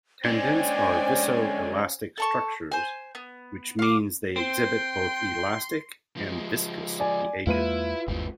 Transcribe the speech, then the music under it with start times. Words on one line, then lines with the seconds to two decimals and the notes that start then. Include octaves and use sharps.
Tendons are viscoelastic structures, which means they exhibit both elastic and viscous behaviour.
0.25 D3 G#3 C#4 C5 D5 G5 G#5
2.18 A4 A5 C#6
2.72 C5 G#5
3.15 B3
3.79 F5 D6
4.36 C4 G5 C6
6.17 F3 G#3
7.00 D5 G#5
7.47 E2 G#3 A#3 E4 F4 B4 D#7
8.08 G1 D#2 G#2 E3